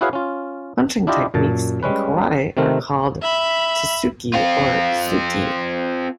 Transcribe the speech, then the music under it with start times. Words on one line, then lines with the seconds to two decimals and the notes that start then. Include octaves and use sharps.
Punching techniques in Karate are called "tsuki" or "zuki".
0.01 E4 F#4 G#4 B4 C#5 F5
0.13 C#4 F4
1.07 D4 E4 F4 G4 D5 D#5
1.34 F#2 A#2 A5
1.83 G3 G#3 C#4 B4
2.57 C3 D#3 A3 C4 A#4
3.22 E5 B5
4.34 C4 F4